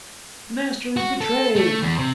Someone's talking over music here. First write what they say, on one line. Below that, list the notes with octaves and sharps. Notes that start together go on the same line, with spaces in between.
"The Master is betrayed!"
F#4
A4
A3
E2
C3